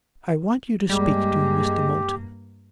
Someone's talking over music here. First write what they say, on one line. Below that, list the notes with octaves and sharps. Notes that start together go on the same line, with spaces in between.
'I want you to speak to Mr. Moulton....
G2 G3 G#3 A#3 G4